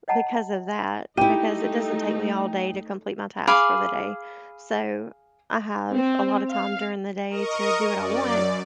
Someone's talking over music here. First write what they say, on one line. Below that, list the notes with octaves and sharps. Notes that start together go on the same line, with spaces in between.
because of that, because it doesn't take me all day to complete my tasks for the day, so I have a lotta time during the day to do what I want,
C#5 D#5 F#5 A5 A#5
A3 D#4 E4 G4 G5 D#7
G#4 F5 B5 D6
C4
F5
A#4 D#5 C#6 D#6
F#2 D5